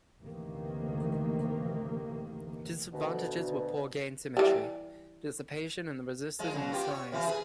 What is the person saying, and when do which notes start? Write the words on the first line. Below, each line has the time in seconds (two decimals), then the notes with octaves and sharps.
Disadvantages were poor gain symmetry, dissipation in the resistors and size.
0.21 D2 C3 D#3 E3 A#3
2.92 D2 B2 D3
4.37 E3 G3
6.39 F3 G#3 F4
6.54 C#3 F#3
6.72 B3 F4 G4
6.90 C#5
7.12 C3 E3 F4
7.27 G#4 B4